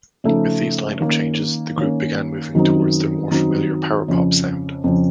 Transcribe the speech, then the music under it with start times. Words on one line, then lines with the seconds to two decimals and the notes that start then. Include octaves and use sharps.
With these lineup changes, the group began moving towards their more-familiar power pop sound.
0.24 C#3 F3 A3 D#4
1.00 D#3 A#3 C#4
1.77 D#3 A#3 C#4
2.54 F#2 D#3 F#3 C4 D#4
3.31 F#2 D#3 F#3 C4 D#4
4.08 F2 C#3 F3
4.84 F2 C#3 F3